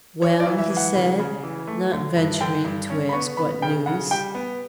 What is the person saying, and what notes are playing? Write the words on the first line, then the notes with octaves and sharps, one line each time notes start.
"Well?" he said, not venturing to ask what news.
E3 C#5
D5
E3
E5
E3
F#5
C#3
C#3
E3
A3
D3
G2
D3 G5
G2
C#4
B5
B3 C#6
B3 B5
C#3 G5
C#3 F#5
G3 G5
B3